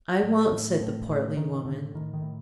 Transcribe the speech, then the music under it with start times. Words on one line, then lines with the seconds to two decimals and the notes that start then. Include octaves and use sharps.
"I won't," said the portly woman.
0.23 A2
0.52 A2
0.81 A2
1.09 A2
1.37 A2 D#3
1.65 A2 D3
1.94 A2 D#3
2.14 D#3
2.22 A2